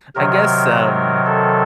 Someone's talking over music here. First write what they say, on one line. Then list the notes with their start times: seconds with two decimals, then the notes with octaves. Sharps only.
I guess, um
0.15 C3 D#3 F#3 A#4
0.71 A#4
1.26 A4